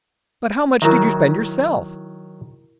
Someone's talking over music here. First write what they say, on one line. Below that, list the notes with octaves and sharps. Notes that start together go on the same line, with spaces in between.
"But how much did you spend yourself?"
D#3 F#3 E4 A#4 E5